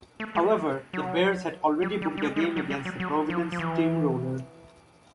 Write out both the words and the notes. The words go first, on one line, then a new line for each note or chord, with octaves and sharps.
However, the Bears had already booked a game against the Providence Steam Roller.
A3
G#3
F#3
G3
G3
G3
G#3
G#3
G3
F#3
G3
F#3
F#3
F3
F3
E3